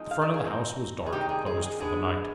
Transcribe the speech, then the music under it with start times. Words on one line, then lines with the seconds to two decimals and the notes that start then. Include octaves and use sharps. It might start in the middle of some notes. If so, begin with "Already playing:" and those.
The front of the house was dark, and closed for the night.
Already playing: F3 G#3 C4 D#4
0.11 F5
0.22 D5
0.34 G#4
0.45 F3 C4 D#4
1.06 G#4
1.12 C3 D#3 G3 C4 D#4 G4
1.29 G#4
1.46 G#4
1.63 G#4
1.80 D3 G#3 B3 D4 G#4